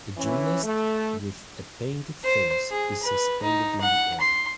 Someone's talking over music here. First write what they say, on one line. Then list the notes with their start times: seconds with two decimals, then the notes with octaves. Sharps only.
A gymnast with a painted face is suspended in the air.
0.17 E3 C#4
0.64 A3
2.24 C5
2.71 G#4
3.03 B4
3.42 D#4
3.81 F#5
4.20 C6